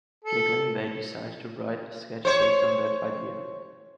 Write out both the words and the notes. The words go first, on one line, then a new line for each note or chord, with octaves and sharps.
Giggling, they decided to write a sketch based on that idea.
A4
C5 C#5